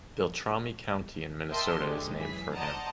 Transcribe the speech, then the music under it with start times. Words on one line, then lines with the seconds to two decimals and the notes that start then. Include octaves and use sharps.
Beltrami County in Minnesota is named for him.
1.50 A#4 D#5 E5 G5 A5 C6
1.80 D2 D3 G#3 G4
2.17 F#2 E3 G#4 B6
2.54 C5 D5 D#5 F#5 A5 A#5